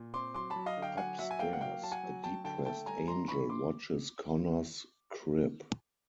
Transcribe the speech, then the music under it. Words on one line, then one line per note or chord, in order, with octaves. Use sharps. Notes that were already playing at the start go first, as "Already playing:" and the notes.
Upstairs, a depressed Angel watches Connor's crib.
Already playing: A#2
C4 C6 D6
F#3 C6 D6
A5 B5
F#3
D#5 F5
D3
F5 G5
F#3 F#5 G#5
F#3 E5 F#5
G#5
A#3 F5 G5
F#5
F#3 F5 G5
F#3 A5
F#5 G#5
F#3
F#3 G5 A5
D3 G5 A5
A3 G5 A5
G3 G#5 A#5
G3 A#5 C6
E3 B5 C#6
E3 C6 D6